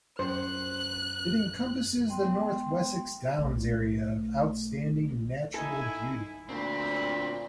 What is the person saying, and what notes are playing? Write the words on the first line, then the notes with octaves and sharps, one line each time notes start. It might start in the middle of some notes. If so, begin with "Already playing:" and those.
It encompasses the North Wessex Downs Area of Outstanding Natural Beauty.
F#2 C5 F#6
G#3 B3 G5 C6
B1 A3
D#4 E4 A4 G#5
D2 A#2 C4 B5